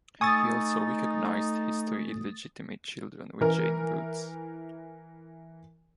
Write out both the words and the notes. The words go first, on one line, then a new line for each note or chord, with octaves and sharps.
He also recognised his three illegitimate children with Jane Woods.
A3 D#4 G#5 C#6 D#6 E6 A6
E3 A#4